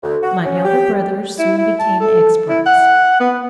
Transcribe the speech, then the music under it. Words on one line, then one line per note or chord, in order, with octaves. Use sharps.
My elder brothers soon became experts.
D2
F#4
C#4
G4
E4
E4
A5
A4
E4
F#5
B3